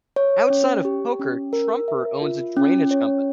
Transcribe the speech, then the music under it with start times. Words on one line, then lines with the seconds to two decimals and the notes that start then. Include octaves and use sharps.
Outside of poker, Trumper owns a drainage company.
0.16 C#5
0.50 C#4
0.85 G4
1.19 C#4
1.53 A#4
1.88 E5
2.22 F4
2.57 C#4
2.91 C#5